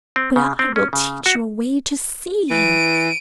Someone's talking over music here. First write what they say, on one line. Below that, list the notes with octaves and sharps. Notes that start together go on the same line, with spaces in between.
But I will teach you a way to see him.
C4
C#3
C4
C#4
C#3
F#4
E3 D7 D#7